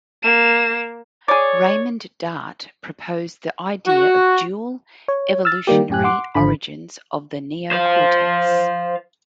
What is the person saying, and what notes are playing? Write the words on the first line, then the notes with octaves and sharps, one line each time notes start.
Raymond Dart proposed the idea of dual evolutionary origins of the neocortex.
A#3 E7
G#4 C#5 D5
F#4
C#5
E6 F6 A6
D#3 G3 A#3 G4
F#2 A2 G4 G#5 F#6
F#5 C6 D6
G#1 D3 B5
C5 F5